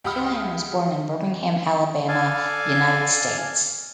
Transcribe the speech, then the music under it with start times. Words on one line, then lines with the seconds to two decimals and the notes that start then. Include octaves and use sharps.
Killian was born in Birmingham, Alabama, United States.
0.04 C#2 G4 F#5 B5 D#6 F6
2.08 A4 D5 F5 G#5